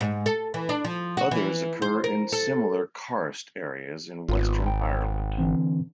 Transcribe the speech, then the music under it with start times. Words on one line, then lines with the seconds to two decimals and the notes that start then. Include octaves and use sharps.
Others occur in similar karst areas in western Ireland.
0.01 G#2
0.26 A4
0.54 E3
0.69 D4
0.85 F3
1.17 F#4
1.31 E3
1.82 C5
2.04 A#4
2.32 A4
4.28 G#1 B3 F4
4.67 G5
5.38 D3 E3 C4